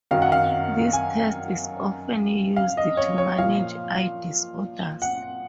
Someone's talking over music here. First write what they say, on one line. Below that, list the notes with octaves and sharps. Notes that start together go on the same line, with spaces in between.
This test is often used to manage eye disorders.
F#2 D#3 F#3 F5
F#5
F5
G#5
F5
D#5
C#5
C#5
A#2 F3 F5
F#5